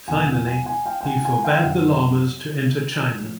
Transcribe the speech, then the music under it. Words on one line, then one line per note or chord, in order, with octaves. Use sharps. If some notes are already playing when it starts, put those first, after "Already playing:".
Finally, he forbade the Lamas to enter China.
E2 B2 F#3 F#5 G#5
F#5 G#5
F#5 G#5
F#5 G#5
F5 G5
G5
F#5 G#5
F#5 G#5
F5 G5
F5
F#2 C#3 F#3 E5 F#5
A2 F3